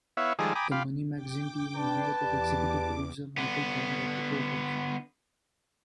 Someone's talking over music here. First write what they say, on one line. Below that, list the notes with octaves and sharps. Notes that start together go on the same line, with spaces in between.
The "Money Magazine" team is made up of executive producer Michael Wong and reporters.
B3 E4 C#5 E5 F5
D#3 F3 G3 G#3 G#4 A4
G5 G#5 A#5 B5 D6 D#6
F4 G4 F5 B5
G5 D6
D4 B4 A5
E2 G4 D5 D6
D3 B3